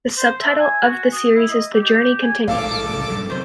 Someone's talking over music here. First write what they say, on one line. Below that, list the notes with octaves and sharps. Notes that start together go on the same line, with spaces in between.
The subtitle of the series is "The Journey Continues".
C5
E5
G#5
F#4
D#6
E4
D#5
G4
G#5
A#1 G#2 A3 A4 F5 D6
C2 C#3
G2 B2 F#3
C3 D#3 F#3 C5